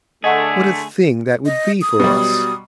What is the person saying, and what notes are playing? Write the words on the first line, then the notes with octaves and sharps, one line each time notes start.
'What a thing that would be for us!'
D3 A3 G#4 D#5 F#5
D#5
D#6
B2 F#3 G3